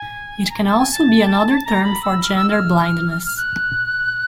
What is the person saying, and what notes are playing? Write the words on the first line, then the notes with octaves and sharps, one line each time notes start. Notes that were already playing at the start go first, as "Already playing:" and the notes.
It can also be another term for gender-blindness.
Already playing: G#5
A#5
A5
G#5
A5
A#5
B5
E6
F6
E6
F6
F6
F6
F6
F#6